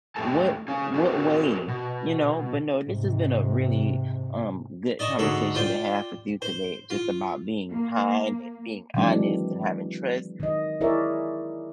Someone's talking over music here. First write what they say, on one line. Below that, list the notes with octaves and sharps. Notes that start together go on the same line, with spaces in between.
what what way, you know, but no, this has been a really, um, good conversation to have with you today, just about being kind and being honest and having trust,
E2 C3 A3 G4 A4 A5
C#4 G#4
C4 F#4 A4 A#4
B2
G#2 C3
D5 D#5 A5 C#6
D2 G#2 F#4 A4
F4 C5 D5 G5
C5
F4
A#3
D#3 E3 F#3 G#3 C4 D4
D#3 D#5
E4 G#4 A#4 C#5 D5 E5